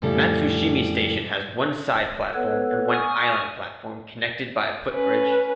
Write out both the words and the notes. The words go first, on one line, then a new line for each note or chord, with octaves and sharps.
Matsushima Station has one side platform and one island platform connected by a footbridge.
F2 A2 C#3 G3 A4
B3 A4 B4 C#5
G#5 C#6 D#6 F6
C#4 B4